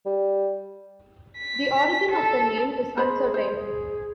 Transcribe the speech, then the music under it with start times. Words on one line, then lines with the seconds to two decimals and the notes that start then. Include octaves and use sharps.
The origin of the name is uncertain.
0.06 G3
1.38 B6
2.12 A4
2.98 G#4 C5 D#5 B5
3.34 C5
3.56 G#4